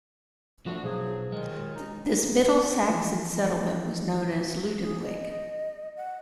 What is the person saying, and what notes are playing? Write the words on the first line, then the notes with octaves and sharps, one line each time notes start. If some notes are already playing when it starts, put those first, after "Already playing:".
This Middle Saxon settlement was known as Lundenwic.
F3 A3 D4 F#4
B1 F3 F#3 G#4
D#2 A#2 D#3 G#3
D#4
E3 F3
G#4
D#5
F#5